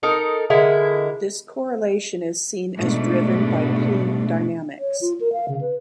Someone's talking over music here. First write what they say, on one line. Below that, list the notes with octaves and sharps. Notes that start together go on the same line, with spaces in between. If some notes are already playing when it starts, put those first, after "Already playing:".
This correlation is seen as driven by plume dynamics.
D#4 A4 A#4
D3 G#3 E4 A#4
G#2 B2 A3 D4
C#5
F4
A#4
F5
C#3
B4